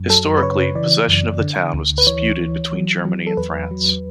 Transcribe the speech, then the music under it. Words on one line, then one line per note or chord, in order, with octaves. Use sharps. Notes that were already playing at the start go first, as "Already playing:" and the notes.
Historically, possession of the town was disputed between Germany and France.
Already playing: F#2
F#3 A4
B4
C#3 C#5
E3 D5
F#2
D3
D2
B4
E3 C#5
E3
F#3
F#3
A4
E2 B4
F#3